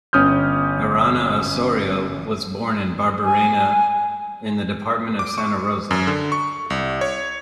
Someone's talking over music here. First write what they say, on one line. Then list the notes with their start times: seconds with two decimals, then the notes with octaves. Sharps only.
Arana Osorio was born in Barberena, in the department of Santa Rosa.
0.13 G1 C#4 D#6 F6 G6
3.24 G#5
5.19 D6
5.38 C#6
5.91 F#2
6.07 D3
6.32 C#6
6.70 C2
7.01 C#5